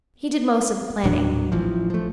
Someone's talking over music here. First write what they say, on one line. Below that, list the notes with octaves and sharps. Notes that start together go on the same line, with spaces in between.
He did most of the planning.
D#1 A2 F#3 D4
A1 E3 F3
F3 A3